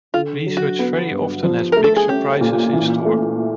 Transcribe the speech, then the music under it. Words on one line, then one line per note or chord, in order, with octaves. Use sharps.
Research very often has big surprises in store.
D3 F4
F#3
F#4
B3
G2
F3
A3 A#4
A4
G#4
C#4 G4
A#2
E3
A3